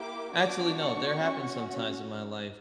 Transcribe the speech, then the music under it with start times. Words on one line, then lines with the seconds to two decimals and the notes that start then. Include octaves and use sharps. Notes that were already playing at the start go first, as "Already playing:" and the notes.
actually, no, there have been some times in my life
Already playing: A#3 E4 G4 D6
0.33 B3 D4 F#4 D6
0.77 C#6
1.21 C#4 F#4